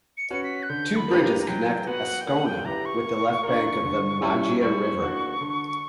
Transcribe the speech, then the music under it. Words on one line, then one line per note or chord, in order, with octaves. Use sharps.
Two bridges connect Ascona with the left bank of the Maggia river.
C#7
C#4 F#4 B4 C#7
B6
F#6
D3 G6
B5
A#3 D4 G4 B4
A#5
A#5
F#3 G5
B3 F#4 B4 F#5
G5
A#3 F#5
G5
E4 G4 B4 A#5
C#6
A#3
D4 A#4
D3
G3 C#4 E4
G3 C#6
A#3 D4 F#4
D3